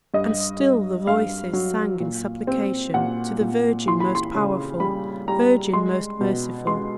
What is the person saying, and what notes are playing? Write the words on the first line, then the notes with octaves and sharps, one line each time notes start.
And still the voices sang in supplication to the Virgin most powerful, Virgin most merciful.
G2 D#5
G2
G2 F5
F#3
A#2
C4
A#2 F#5
A#2
E3 C6
B5
C6
C#3
G3 B5
G3 A#5
G#3 C6
B2
G#3 C6